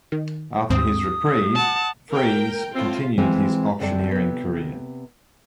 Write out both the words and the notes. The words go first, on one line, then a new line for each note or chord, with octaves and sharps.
After his reprieve, Fries continued his auctioneering career.
D#3
D#2 G#2 C4 D#6
F#5 A5
A#4 G5
A2 C4 F4
E3 G#3 C4 F5 G5
F#2 D3 G3 C4 D5 A5
C3 B3